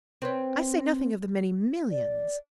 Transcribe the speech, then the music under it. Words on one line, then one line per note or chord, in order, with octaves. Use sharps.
I say nothing of the many millions...
C4 B4 C#5
D5